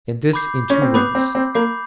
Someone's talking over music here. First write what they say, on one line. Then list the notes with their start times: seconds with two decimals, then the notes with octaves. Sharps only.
And this in two ways.
0.33 B5 D6 G6 C7
0.70 C#4
0.82 C4
0.94 B3 B5 D6 G6 C7
1.15 C4
1.35 C4
1.55 A#3 B5 D6 G6 C7